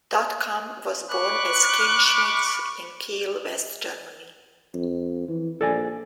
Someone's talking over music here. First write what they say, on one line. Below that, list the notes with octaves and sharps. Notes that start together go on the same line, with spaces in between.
Dotcom was born as Kim Schmitz in Kiel, West Germany.
B5 C#6 D6 F#6
F2
E3
A#1 A4 D5 G#5